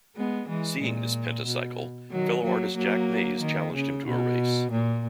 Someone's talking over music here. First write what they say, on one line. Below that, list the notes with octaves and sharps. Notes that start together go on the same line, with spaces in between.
Seeing this "Pentacycle," fellow artist Jack Mays challenged him to a race.
G#3 B3
E3 G#3
A#2
B2
D#3 F#3
F#3 A#3
F#3 A#3
D#3
C#3
B2
A#2